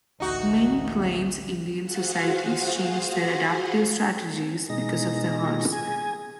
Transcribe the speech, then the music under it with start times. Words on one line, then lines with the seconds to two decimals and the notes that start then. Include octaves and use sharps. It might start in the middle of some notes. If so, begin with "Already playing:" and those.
Many Plains Indian societies changed their adaptive strategies because of the horse.
0.20 A1 D2 D#4 F#4
1.83 F4 F#4 G#4 C5 F5 F#5
4.70 B2 G#3 D#4 A#6
5.73 G#4 G#5